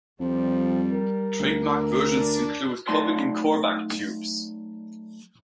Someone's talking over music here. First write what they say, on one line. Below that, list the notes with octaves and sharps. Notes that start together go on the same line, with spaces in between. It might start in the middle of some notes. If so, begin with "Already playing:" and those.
Trademarked versions include Covidien "Corvac" tubes.
F2 F3 G3
A#4
D2
D4
F#3 A3 D#4 D5 A5 C6